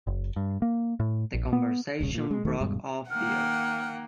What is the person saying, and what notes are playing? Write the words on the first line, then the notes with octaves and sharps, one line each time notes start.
The conversation broke off there.
F#1
G2
A#3
A2
A#1
B3
D#1 C2 C#3
A#2
G#3
E1 D#3 A3
D#1 G2 B2 G#3
D#3 A#3 F#5 G5 F6